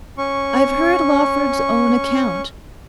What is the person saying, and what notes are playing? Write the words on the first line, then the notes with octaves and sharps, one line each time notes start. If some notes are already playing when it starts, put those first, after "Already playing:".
I have heard Lawford's own account.
C#4 C#6